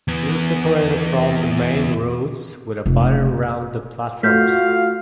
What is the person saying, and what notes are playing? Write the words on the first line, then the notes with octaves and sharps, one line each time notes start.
It is separated from the main roads with a barrier around the platforms.
E2 B3
F1
A3 F4 F#4 F5 G6 B6